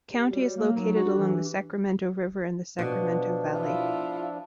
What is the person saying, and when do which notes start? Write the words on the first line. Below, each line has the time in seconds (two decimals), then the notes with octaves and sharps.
The county is located along the Sacramento River in the Sacramento Valley.
0.11 G4
0.30 G3 F#4 C#5
0.57 A#3
0.76 F#3 D#4 A#4 A#5
0.95 D4 F#4 G4 A4
1.18 E3 D4 G4
2.79 B2 F3 D4
3.58 E4 F4